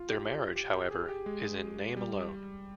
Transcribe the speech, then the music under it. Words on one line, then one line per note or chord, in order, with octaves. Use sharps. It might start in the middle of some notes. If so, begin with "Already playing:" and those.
Their marriage, however, is in name alone.
Already playing: F4
G4
G4
G4
G#4
G4
G#3
G3